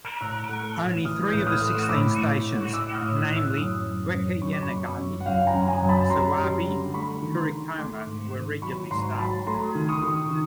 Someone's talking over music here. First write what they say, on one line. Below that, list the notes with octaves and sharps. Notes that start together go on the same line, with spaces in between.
Only three of the sixteen stations, namely Wakayanagi, Sawabe, Kurikoma were regularly staffed.
A2 E6 F#6
A3
A2
E3 D#6 F6
G6
A2 F#6
D#6 F6
A3
A2 D6 E6
A2
A2
A2 D6 E6
D#6 F6
A2
E6 F#6
A2
E6 F#6
F#2 D#6 F6
F#2
F#2
F#2 C#6
D6
B5 C#6
F#2
F#2
F#5
F#2 F5 G5
G#5 A#5
F#2
G#5 A#5
F#2
A5 B5
F#2 A#5 C6
G3
D3
A3 B5 C#6
D#3
A#5 C6
D#3
A3 C6 D6
G#2
D#3
F#3 B5 C#6
G#2 A#5 C6
F#3 A5 B5
A3 A#5 C6
D#3
C#6 D#6
D#3
D#3